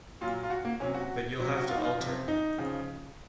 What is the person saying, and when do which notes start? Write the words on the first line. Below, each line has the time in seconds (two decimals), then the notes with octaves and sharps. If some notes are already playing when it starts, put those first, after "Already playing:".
But you’ll have to alter.
0.21 A#2 F#3 F4
0.43 F4
0.50 F#4
0.65 A#3
0.80 C3 F#3 C#4
0.95 F#4
1.40 C3 F#3
1.57 F#4
1.69 F4
1.78 D#4
1.83 F4
1.98 C3 F3
2.28 D#4
2.58 C#3 F3